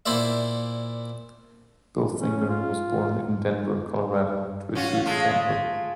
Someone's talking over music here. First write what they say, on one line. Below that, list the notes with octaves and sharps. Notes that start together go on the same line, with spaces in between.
Bill Finger was born in Denver, Colorado, to a Jewish family.
A#2 E4 C5 D5 E5
C#4
F4
C#4 F4 F#4
G#3 A3 F4